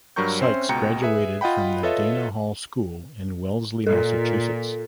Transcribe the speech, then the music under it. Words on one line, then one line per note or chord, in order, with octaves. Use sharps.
Sykes graduated from the Dana Hall School in Wellesley, Massachusetts.
G2 F#3 A#4 A#5 C#6 G6
C4 C#4 C5 E5 C6
C#2 B2 G5 A#5 C#7
G#4 B4 E5
F4 D#5 F#5 G5 B5
F4 A4 B4 C#5 D#5 E5
A#2 A4